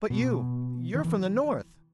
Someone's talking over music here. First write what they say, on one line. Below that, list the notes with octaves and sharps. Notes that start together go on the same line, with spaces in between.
"But you--you're from the North."
B2
D#3
E3